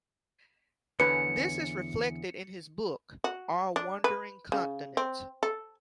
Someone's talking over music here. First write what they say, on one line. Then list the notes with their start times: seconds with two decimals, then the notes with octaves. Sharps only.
This is reflected in his book "Our Wandering Continents".
1.00 E2 D3 C#4 B4 B5 C#7
3.24 F#4
3.76 D4
4.04 B4
4.52 C#3
4.97 C4
5.43 A4